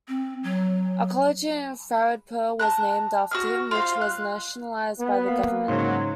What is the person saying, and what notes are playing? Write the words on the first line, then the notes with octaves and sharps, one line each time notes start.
A college in Faridpur was named after him, which was nationalised by the Government.
C4
F#3
A5 A#5 F#6
F#4 G#4 F6
F4 C5 F5
F#6
B3
A#3 F5
G#2 C#3 F#3 C#4 C6